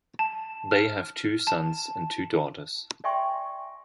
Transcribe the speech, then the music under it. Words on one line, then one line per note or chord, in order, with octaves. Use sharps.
They have two sons and two daughters.
A5
F6
A5
D5 E5 G5 G#5 C6 C#6